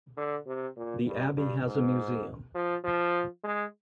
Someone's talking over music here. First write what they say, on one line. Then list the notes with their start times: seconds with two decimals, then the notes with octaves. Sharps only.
The Abbey has a museum.
0.17 D3
0.47 C3
0.76 A#2
1.06 G2
1.36 G2
1.65 G#2
2.55 F3
2.84 F3
3.44 G#3